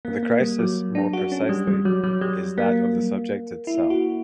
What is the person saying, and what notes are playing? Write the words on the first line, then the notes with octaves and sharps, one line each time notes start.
The crisis, more precisely, is that of the subject itself.
A#3
A#3
G3
F#3
D4
F#4
C#4
G3
G3
F#3
F#3
G3
A#3
E4
F#4